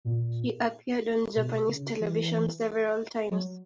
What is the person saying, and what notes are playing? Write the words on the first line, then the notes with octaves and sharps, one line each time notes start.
She appeared on Japanese television several times.
A#2
B2
C#3
E3
F#3